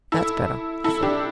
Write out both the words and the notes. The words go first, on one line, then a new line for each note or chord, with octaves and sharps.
"That's better," he said.
E4 A4
E4 A4
D4 G4